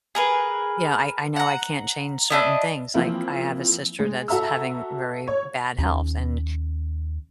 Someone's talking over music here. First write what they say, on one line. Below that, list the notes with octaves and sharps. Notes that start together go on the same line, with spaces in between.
you know, I I know I can't change certain things. Like, I have a sister that's having very bad health, and,
G#4 A#4 B4
F#5 A#5
D4 E4 D#5
E3 F3 A#3 C4 E4
G#3
F#4 A4 E5 A#5 E6
C#5
D#2 C#4